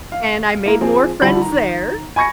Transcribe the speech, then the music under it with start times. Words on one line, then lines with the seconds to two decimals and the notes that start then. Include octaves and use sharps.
And I made more friends there.
0.12 F5
0.66 A#3 E4 A#5
0.81 F3 C4 G#4
1.21 D3 F3 G3 E4 B5 F#7
1.42 D#3 A#5
2.16 G#5 B5 C#6 G#6 A#6 C#7